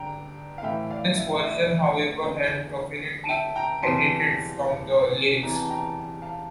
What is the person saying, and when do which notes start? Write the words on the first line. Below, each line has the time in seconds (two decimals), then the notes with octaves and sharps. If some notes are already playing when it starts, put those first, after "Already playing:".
This version, however, had profanity edited from the lyrics.
Already playing: G2 D3 G5 A#5
0.58 F5
0.63 A2 E3 E5 G5
0.90 D5 F5
1.17 E5
1.43 E5
1.52 D5
1.60 E5
2.22 E2 D3
3.24 A5
3.29 E5 G5
3.56 G5 A#5
3.83 E2 C3 E3 A5 C6
5.43 E2 C3 E3 A#5
5.55 A5
5.70 G5 A#5
6.22 F5 A5